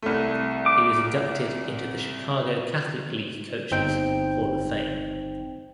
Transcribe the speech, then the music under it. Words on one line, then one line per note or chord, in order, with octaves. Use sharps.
He was inducted into the Chicago Catholic League Coaches Hall of Fame.
C2 A3
D6
G1 C4 D#4 C5 G5 G6